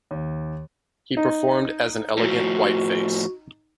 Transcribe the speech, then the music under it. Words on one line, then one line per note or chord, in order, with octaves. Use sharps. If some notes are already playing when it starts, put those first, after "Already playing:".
He performed as an elegant Whiteface.
D#2
D#4
A2 F3 F#4